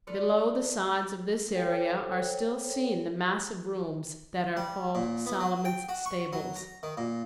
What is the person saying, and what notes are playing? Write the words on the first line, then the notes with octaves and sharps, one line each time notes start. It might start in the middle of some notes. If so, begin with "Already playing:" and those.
Below the sides of this area are still seen the massive rooms that are called Solomon's stables.
F4 A4 B4 D5
A4 C5 C#5 G5
G3
A#2
B3
F#3
G5
F#4
C#6
F#3
A#5
D#3
A#2